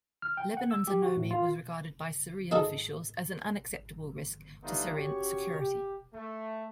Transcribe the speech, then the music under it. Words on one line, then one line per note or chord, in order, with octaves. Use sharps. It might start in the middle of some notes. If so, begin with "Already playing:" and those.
Lebanon's anomie was regarded by Syrian officials as an unacceptable risk to Syrian security.
F6
G5
F#5
E6
G4
F#4
A2
F4
D#4 G#4 A4 D#5
G3 A3 B3 D4 D#4 F4
C#4 F#4 G4 C#5
G4
A3